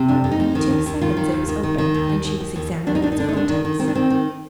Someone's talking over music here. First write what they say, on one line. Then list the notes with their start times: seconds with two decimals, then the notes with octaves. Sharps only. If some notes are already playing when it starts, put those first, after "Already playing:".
In two seconds it was open and she was examining its contents.
Already playing: C3
0.08 F2 D4
0.24 F2
0.31 D#4
0.40 F2
0.55 D#3
0.71 D#2
0.86 D#2
1.01 D#3 F4
1.17 D#3
1.32 D#2
1.48 D#3
1.63 D#3
1.78 D#3
1.94 D#2
2.09 D#2
2.25 D#2
2.40 D#2
2.56 D#2
2.72 D#2
2.87 D#2 D4
2.95 D#4
3.02 D#2 D4
3.12 D#4
3.18 D3 D4
3.29 D#4
3.33 D#2 D4
3.49 D#3
3.65 D#3
3.79 D#3 C4
3.88 D4
3.95 D#3 C4
4.10 D#3